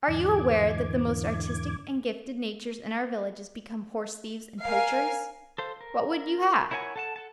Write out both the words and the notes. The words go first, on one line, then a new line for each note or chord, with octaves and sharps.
Are you aware that the most artistic and gifted natures in our villages become horse-thieves and poachers? What would you have?
E2 G#2 D3 E3 D6 G#6
A#4 F5 G#5
A4 C5 F5
A#4
E4 A#4 C#5 F#5 G#5
A4 F#5 A5
A4 F#5 A5